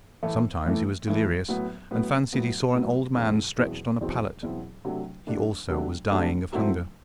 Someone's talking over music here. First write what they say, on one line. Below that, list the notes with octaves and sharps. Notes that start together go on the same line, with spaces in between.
Sometimes he was delirious, and fancied he saw an old man stretched on a pallet; he, also, was dying of hunger.
A2 E3 A3
A2 E3 A3
A2 E3 A3
A2 F#3 B3
A2 F#3 B3
A2 F#3 B3
A2 F#3 B3
E2 B2 F#3 C4 E4
E2 B2 F#3 C4 E4
E2 B2 F#3 C4 E4
E2 B2 F#3 C4 E4
C3 F#3 A3 D4
C3 F#3 A3 D4
C3 F#3 A3 D4
C3 F#3 A3 D4
F#3 A3 C4 E4